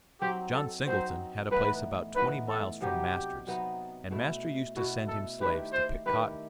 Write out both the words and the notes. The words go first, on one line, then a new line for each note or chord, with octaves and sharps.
John Singleton had a place about twenty miles from master's, and master used to send him slaves to pick cotton.
F#3 C4 D#4 G4
A4
F#3 C4 D#4 C5
A2 E3 B3 D#4 B4
A2 E3 B3 D#4 B4
A4
C3 F#3 B3 D#4 G4
C3 F#3 B3 D#4
B2 A3 E4
B2 A3 E4 F#4
A4
D#3 A3 E4 G4 B4
C5
D#3 A3 E4 G4 B4